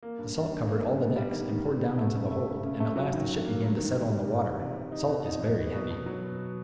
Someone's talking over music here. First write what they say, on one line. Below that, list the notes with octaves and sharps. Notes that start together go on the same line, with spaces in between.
The salt covered all the decks and poured down into the hold, and at last the ship began to settle in the water; salt is very heavy.
A#3
G2
G2
G2
A#3
G2
B3
G3
D#3
D#3
B3
B3
A3
C#3
A3
C#3
C#3
A3
F#3
D#3
G2
A#3
G2
D#3
C3
G3
G3
E3
C3
C3
D#4
B2
D#4
B2
B3
B2
B2
F#3
B3